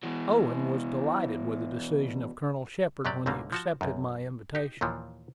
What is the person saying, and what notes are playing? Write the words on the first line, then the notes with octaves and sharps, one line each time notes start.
Owen was delighted with the decision of Colonel Shepard when he accepted my invitation.
B2 E3
F#2 C3 F#3 G4 D5
C#2 G#2 B2 D3 G3 A#3
F3 F#4 A5
B1 F#2
D#4 G4
D#2 A#2 E3 F3